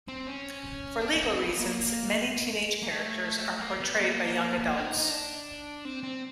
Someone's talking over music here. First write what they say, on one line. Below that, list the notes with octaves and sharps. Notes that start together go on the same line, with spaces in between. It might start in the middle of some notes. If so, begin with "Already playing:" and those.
For legal reasons, many teenage characters are portrayed by young adults.
C4
C#4
D4
C#4
C4
B3
A#3
A#3
A3
A#3
B3
A#3
B3
D4
D#4
D#4
D4
C4
C4